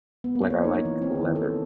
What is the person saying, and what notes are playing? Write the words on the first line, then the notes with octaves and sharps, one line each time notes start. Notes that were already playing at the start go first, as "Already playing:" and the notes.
Like, I like leather.
B3
A#3
C#5
D#4
E3
C4
D#3
A4